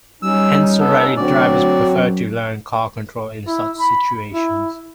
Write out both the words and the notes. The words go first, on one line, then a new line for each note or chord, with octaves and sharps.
Hence, rally drivers prefer to learn car control in such situations.
G3 C#4 D#4 E6
B3 A4
D2 F#3 C4 F#4 D5
F#2
E4
B5
E4